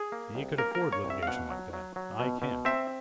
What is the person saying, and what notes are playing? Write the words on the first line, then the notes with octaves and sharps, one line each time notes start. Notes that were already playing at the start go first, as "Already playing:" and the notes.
He could afford litigation like that; I can't.
Already playing: G#4
A#3
C2
A#3 A#4
A#4
A#3
C#5
C2
E5
F5
B2 F#5
F#3
F#3
F#3
B2
B2
C4 E5